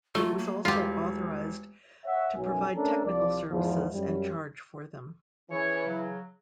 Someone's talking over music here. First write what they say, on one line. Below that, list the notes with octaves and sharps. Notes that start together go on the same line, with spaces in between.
It was also authorized to provide technical services and charge for them.
F#3 A3 F4
A#3
E1 G3 F4 G4
C#5 E5 F#5
B1 F#2 G#5
A3 C#4 D4 A4 A#4
C2 F3 D5
E2 G#2 F3
F#2 G3
E3 C#4 G#4 C#5
C#3 F#3